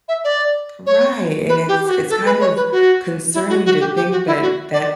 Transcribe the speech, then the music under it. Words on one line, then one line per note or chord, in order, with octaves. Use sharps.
Right, and it's it's kind of concerning to think that that
E5
D5
C#5
B4
G4
G4
F#4
A4
B4
C#5
B4
F#4
E4
F#4
F#4
G4
G4
F#4
E4
F#4
D5